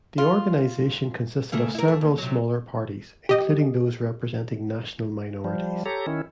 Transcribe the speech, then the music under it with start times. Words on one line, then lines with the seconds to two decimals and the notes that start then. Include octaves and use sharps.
The organization consisted of several smaller parties, including those representing national minorities.
0.18 F4
1.52 C#3 A3 A#3
1.75 E4 A#4
1.88 A3
2.01 D#2
2.18 C3 F#3
3.29 G4 D#5
5.44 F3 G3
5.85 G4 A4 C#5 A#5
6.06 D#3 C#4 E4